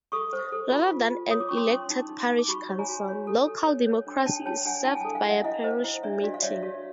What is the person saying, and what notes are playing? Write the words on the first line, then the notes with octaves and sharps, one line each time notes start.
Rather than an elected parish council, local democracy is served by a Parish meeting.
A4 C#6 D#6
C5
A4
F4
F4
F4
C#5 D#6
D6
C#4 C#6
C6 D6
C#4
D#4
D#4
D#4
D6
F#4 B5 C#6
C#5
G#5 A#5
F#4
C#5
A4
A4
C#5
C#5
D4
D4 G5 A5
C#5 G5 A5
D4 F#5 G#5
E4 G5 A5
G#5
G5 A5
A4
F5 G5
E4 E5 F#5
E4 D#5 F5
C5
E4
D4 D5 E5
F#4 D5
F5
C#5 D5 E5
F#4